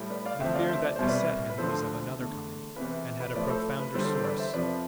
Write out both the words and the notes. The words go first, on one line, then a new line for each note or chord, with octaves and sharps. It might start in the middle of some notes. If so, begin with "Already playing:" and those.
The fear that beset him was of another kind, and had a profounder source.
Already playing: A2 G3
B4 D5
D5 F5
D2 C3 F3 E5 G5
D5 F5
C5 E5
D5
C2 B2 G3 C5
B4 D5
B4
D2 D3 F3 A4 C5
E2 D3 A3
E2 C3 E3 B4
B4
B4
A2 F3 A3 B4 D5
A4 C5
B4
E2 D3 G3 A4 C5
A4 C5
A4 C5
B4 D5
C5 E5
F2 C3 F3 B4 D5